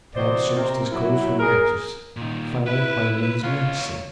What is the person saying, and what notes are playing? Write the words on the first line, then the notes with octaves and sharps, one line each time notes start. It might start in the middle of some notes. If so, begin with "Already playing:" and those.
Tad searched his clothes for matches, finally finding his match safe.
C3 E3 F#4 C5 D5 D#5
C3 C4 A#4
F#3 E4
G#4 A#4
A#2 D#3
E4 B4
B4
D2 F4 C#5